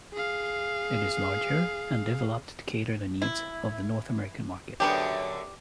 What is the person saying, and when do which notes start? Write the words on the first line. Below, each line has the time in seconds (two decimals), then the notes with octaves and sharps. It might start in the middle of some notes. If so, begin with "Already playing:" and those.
It is larger and developed to cater the needs of the North American market.
0.14 G#4 F5
3.22 E4
4.80 F#2 D3 F#3 B3 D4 G4